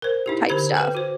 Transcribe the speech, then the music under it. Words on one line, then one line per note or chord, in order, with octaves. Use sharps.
type stuff.
A#4 C5
D#4 E4 G4
D3 G4 C5 B5
A4 B4 G5
F#4 C5